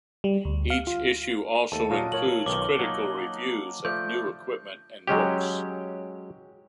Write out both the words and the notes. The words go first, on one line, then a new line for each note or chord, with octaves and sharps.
Each issue also includes critical reviews of new equipment and books.
G3
D2
F5
F4
D#2 A3 A4 A5
A#2 F#3 F4 D#5
F4 A#4 C#5 F#7
B1 D#3 D6 G7
F#3 A#3 D#4
F3 A3 D5 G6
F#3 G#3 C#4 G4